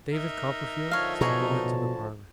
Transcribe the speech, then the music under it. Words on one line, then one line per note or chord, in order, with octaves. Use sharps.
'David Copperfield is to go into the parlour.'
D#4 A#4 E5
D3 F3 C#5 F5 A5
B2 G#4 C#5 A#5